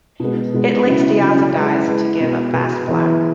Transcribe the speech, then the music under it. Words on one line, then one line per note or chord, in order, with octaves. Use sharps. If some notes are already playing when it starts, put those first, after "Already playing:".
It links diazo dyes to give a fast black.
B2 G#3 B3
B2 G#3 B3
C#3 F#3 C#4 E4
C#3 F#3 C#4 E4
G#3 E4 B4
G#3 E4 B4
B2 F#3 B3 G#4 B4
B2 F#3 B3 G#4 B4
E3 B3 E4 G#4